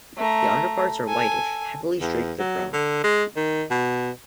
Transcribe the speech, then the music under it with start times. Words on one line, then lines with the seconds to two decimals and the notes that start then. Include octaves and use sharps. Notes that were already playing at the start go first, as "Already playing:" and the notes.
The underparts are whitish, heavily streaked with brown.
0.17 A3 A#5
1.07 A4 G#5
2.01 E2
2.40 F#3
2.73 D3
3.04 G#3
3.36 D#3
3.70 B2